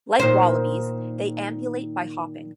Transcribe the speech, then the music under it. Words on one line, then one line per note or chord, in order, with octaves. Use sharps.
Like wallabies, they ambulate by hopping.
A#2 D#3 C5